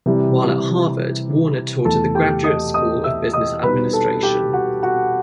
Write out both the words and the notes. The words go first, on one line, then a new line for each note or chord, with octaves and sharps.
While at Harvard, Warner taught at the Graduate School of Business Administration.
C3 E3 G3
E2 B2 A3 A4 A5
G4 G5
D#5 D#6
D#5 D#6
E5 E6
D#5 D#6
B2 G3 C4 D#4 B4 B5
A4 A5
G4 G5
F#4 F#5
F#4 F#5